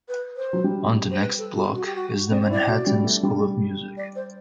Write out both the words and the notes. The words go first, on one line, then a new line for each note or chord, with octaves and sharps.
On the next block is the Manhattan School of Music.
B4
C5
F#3
G3
C5
B4
A4
F#4
F#4
G4
F#4
C4 D5
C5
E4 D5
F#4
G3
A3
G3
D5
C5